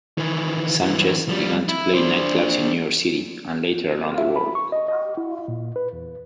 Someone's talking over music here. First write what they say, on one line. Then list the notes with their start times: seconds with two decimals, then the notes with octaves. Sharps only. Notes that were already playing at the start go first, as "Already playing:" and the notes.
Sanchez began to play nightclubs in New York City, and later around the world.
0.18 D#3 E3
0.81 F#2 E3
1.28 F3 G3
1.68 E4
1.95 D4 C5
4.18 E5
4.36 B5
4.55 C#6
4.72 D#5
4.88 D#5
5.17 E4
5.48 A#2
5.76 B4
5.93 E2